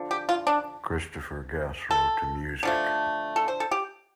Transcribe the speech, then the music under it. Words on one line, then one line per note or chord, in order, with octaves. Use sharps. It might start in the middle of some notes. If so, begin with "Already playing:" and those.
Christopher Guest wrote the music.
Already playing: D3 F3
G4
F4
D4
A4
D3 F3 A3
A4
C5
A4
G4